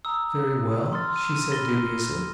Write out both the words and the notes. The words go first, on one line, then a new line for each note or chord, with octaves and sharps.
"Very well," she said dubiously.
A#5 D#6 E6
C6 F6 A6
D#7
B5 F6 A6 A#6 G7